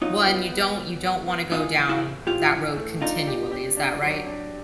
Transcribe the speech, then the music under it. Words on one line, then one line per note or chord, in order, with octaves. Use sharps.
Well, and you don't you don't wanna go down that road continually, is that right?
F#3 D#4 F4
B3
B3
F#3
B3
B3
E3 D#4 F4
E3
E4 F#4
A2
A2 F4 G4
E3
A3
D4 D#4 F4
G4
G4
D4
F#3
D4